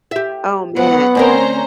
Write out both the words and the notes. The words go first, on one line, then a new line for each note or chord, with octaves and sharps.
oh man.
G4 E5
F#3 B3 F#5
D2 C4 C#4 A#4 C5 A#5